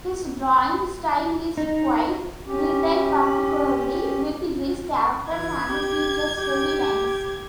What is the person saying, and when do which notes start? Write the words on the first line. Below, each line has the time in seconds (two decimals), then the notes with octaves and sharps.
His drawing style is quite detailed, particularly with his characters, and features heavy lines.
1.58 D#4
2.46 C#4 G4
5.31 E3 G#6
5.69 G4
6.38 G4